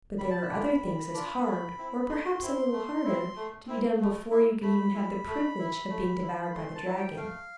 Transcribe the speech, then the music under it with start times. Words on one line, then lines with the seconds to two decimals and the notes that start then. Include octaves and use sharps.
But there are other things as hard, or perhaps a little harder, to be done before you can even have the privilege of being devoured by the dragon.
0.19 G3 B5
0.30 A5
0.43 B5
0.50 D4 F4
0.82 G3
1.14 D4 F4
1.46 A3
1.78 C4 E4
2.09 A3 C6
2.41 C4 E4
2.73 A3
3.05 C4 E4
3.36 A3
3.67 C4 E4
4.00 A3
4.31 E4
4.63 A3 B5
4.95 E4
5.27 A3
5.59 E4
5.90 A3
6.22 E4
6.43 B5
6.54 A3 C6
6.76 A5
6.86 E4
6.97 G5
7.17 A3 F5